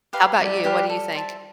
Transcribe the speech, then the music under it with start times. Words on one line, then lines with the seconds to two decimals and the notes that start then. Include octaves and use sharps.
How about you, what do you think?
0.13 G4 B4 F5
0.38 G3 E4
0.65 G4 B4 F5
0.89 A4
1.15 C5 E5 A5